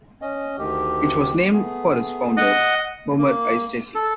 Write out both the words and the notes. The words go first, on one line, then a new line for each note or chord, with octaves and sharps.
It was named for its founder, Homer I. Stacy.
C#4 D#5
D2 D#3 G4
A3 B3 G#4
D#5 F#5
A#3
A4